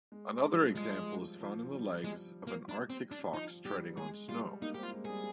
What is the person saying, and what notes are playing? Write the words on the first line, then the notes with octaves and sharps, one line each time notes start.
Another example is found in the legs of an Arctic fox treading on snow.
G#3
G#3
G3
F3
G3
G#3
F3
F3
G3
G#3
A#3
D4
C4
D4
F3 D#4
G3 G4
G3
G#3 G#4
G3 F4
A#3 D#4
C4 G4
F4
G#3
G3 G#4